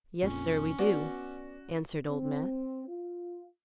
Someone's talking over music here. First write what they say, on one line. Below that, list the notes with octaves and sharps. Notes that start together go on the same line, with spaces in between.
"Yes, sir, we do," answered Old Matt.
A#1 F2 C#4
B3 F#4 D5
C4
F4